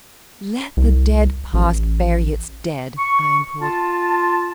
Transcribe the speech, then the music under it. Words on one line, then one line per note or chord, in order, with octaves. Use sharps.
"Let the dead past bury its dead," I implored.
C2
A1
C#6
F4 A5